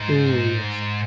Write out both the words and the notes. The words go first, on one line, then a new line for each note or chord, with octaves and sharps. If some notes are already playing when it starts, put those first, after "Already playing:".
Ooh, yes.
Already playing: G#2